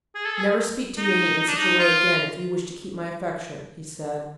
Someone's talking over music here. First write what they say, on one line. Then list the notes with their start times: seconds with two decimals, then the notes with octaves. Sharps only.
"Never speak to me in such a way again if you wish to keep my affection," he said.
0.15 G#4
0.25 A4
0.35 G#4
0.97 D#4
1.38 D#4
1.48 D4
1.57 D#4
1.79 F4